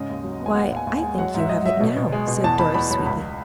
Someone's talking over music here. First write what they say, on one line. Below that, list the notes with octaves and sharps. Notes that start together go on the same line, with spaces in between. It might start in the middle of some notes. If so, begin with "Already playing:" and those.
"Why, I think you have it now," said Doris, sweetly.
Already playing: G#2 C#3 D#5
D#2
F#3
B3
G#5
D#2 F#5
D#2 G#5
D#2
G#3 G#5
F#3 F#5
G#2 E5
G#2 D#5
F#3 E5
B2
B2
G#3
B2
E2 A5
E2 B5
E2 B5
F#3 B5
C#2 B5